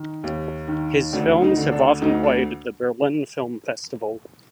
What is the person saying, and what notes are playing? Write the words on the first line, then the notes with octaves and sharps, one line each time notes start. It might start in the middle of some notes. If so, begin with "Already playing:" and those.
His films have often played at the Berlin Film Festival.
Already playing: D#3
D#2
D#3
D2 D4
D#4
D3
D4
D2 D#4
D4